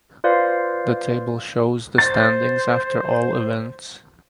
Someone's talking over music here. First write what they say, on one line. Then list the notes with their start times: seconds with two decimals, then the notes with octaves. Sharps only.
The table shows the standings after all events.
0.24 F4 B4 C5 D5 F5
1.98 C5 A6